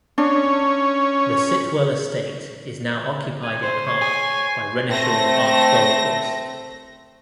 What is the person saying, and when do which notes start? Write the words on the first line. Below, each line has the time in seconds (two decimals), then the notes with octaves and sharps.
The Sitwell estate is now occupied in part by Renishaw Park Golf course.
0.18 C#4 D4
3.43 G#5
3.63 C5
3.86 C#5 C6
4.01 G#5
4.88 A3 C4 A#6